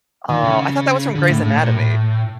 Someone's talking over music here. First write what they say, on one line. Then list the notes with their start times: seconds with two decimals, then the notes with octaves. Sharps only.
Oh, I thought that was from Grey's Anatomy.
0.29 D#3
0.44 C#3
1.15 D3
1.29 A2
1.43 A2
1.57 A#2
1.71 A2